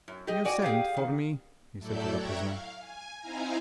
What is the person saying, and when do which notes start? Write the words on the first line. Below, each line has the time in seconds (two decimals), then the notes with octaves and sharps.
"You sent for me?" he said to the prisoner.
0.08 F#2
0.27 G4 G#4 D#5
0.45 F#4 D5 G#5
0.62 G4 G#4 F5
0.97 D#3
1.78 A2 F#3 E4 A4 D5 G6
2.12 E5 G5 A#5 C#6 F#6 G#6
2.42 F5
2.78 G#5
3.19 C4 D#4 E4 F5 G#5 A#5